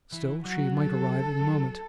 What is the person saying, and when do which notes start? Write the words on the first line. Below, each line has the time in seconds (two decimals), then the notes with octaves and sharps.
Still she might arrive any moment.
0.12 E3 E4
0.45 F#3 F#4
0.77 A4
1.41 F#3